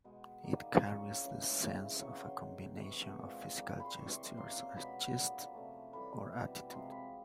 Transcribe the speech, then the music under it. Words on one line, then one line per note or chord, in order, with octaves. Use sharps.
It carries the sense of a combination of physical gestures and "gist" or attitude.
B2 G#3 B3
D#3 G3 A#3
C#3 F3 A#3 C#4 C#6
E3 G#3 C#4
C#3 E3 G#3 C4
C#3 F#3 B3 C#6
C6
D#3 G#3 C4
C3 E3 G#3 B3 C#6
A#2 F3 G#3 C4
A#2 G3 A#3
B5 C6
C3 E3 G3 C4 C#6
C6
C6
C3 F3 A#3 C#4 C6
B2 G#3 B3 B5
A#2 G3 B3 B5
C3 F3 A3
A2 E3 G3 B5
B2 G3 C4
C3 F3 G#3 C6
B5